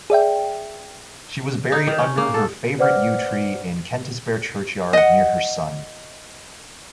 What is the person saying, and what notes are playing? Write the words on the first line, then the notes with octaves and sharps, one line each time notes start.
She was buried under her favourite yew tree in Kentisbeare churchyard, near her son.
G#4 D5 E5 G5
D#4
D#3
C#4
A#3
A4
B4 C5 D5 F#5 D6 F6
D#5 F#5